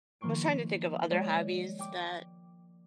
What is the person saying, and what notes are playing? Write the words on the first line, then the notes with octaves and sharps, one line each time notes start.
I was trying to think of other hobbies that
D#3 F3 A#3 C6 C#6 D7
G#3 C#5 D5 A#6
G5 D6